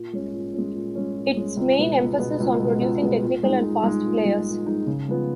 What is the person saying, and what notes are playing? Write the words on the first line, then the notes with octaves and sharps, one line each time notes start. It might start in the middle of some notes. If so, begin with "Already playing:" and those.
Its main emphasis on producing technical and fast players.
Already playing: A#2
G#3 C#4
A#2
G#3 C#4
A#2
G#3 C#4
A#2
G#3 C#4
C#2
B2 G#3 B3
C#2
B2 G#3 B3
C#2
B2 G#3 B3
C#2
B2 G#3 B3
A#2
G#3 D#4
A#2
G#3 D#4
A#2
G#3 D#4
A#2
G#3 D#4
C#3
F3 G#3 B3 F4